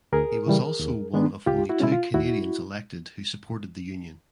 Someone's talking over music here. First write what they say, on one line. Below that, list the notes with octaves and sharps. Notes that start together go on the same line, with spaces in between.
He was also one of only two Canadiens elected who supported the union.
D2 G#4 A#4
C#3 E3 G3
D#2
D#3 G#3 B3 D4
C#2 F4 G4
E4 F#4
B2 G#3 C#4 E4
F4
D#2 E4 F#4